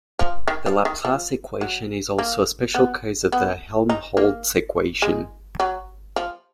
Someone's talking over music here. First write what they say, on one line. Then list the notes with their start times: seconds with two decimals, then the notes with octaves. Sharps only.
The Laplace equation is also a special case of the Helmholtz equation.
0.19 F3
0.48 D#3
0.66 F3
0.85 D#3
1.05 F3
1.61 F#3
2.19 A#3
2.74 B3
3.32 B3
3.89 D#4
4.17 A#3
5.02 G#3
5.60 F#3
6.16 F3